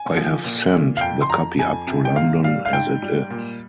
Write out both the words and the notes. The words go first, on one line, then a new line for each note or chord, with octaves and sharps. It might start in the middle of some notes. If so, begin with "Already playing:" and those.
I have sent the copy up to London as it is.
Already playing: G#5
F3
A#2
A#2
F5
F2 G5
C6
F2 A#5
F2 G#5
C3
G5
G#2 F5
G3 F5
F5
G#2 G5
G3
A#2